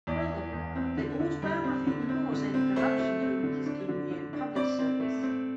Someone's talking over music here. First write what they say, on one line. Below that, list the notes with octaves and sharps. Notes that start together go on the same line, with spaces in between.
Furthermore, the autobiography ignores any corruption during his career in public service.
E2 D5
E3
E2
C4
D3
D3
G3
C4
D3
C4
D3
C4
A3 C5
A3
C4
D3
D4
D3
D3
D4
C4 D5
C4
A3
C4